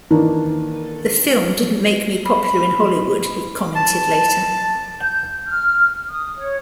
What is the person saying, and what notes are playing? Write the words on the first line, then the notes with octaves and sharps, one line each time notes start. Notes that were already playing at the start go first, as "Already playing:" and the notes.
"The film didn't make me popular in Hollywood," he commented later.
D#3 E3 A#3 D4
B5
A5
G6
F6
D#6
C#5